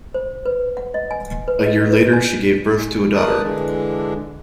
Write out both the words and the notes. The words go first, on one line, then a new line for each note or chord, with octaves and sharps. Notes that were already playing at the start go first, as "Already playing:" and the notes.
A year later, she gave birth to a daughter.
C5
B4
F#5
D#5
G#5
B4
D#5
B4
G#5
G#3
A#4 B4 D5 A5 D#6 F#6
D3 E3 G#3 D4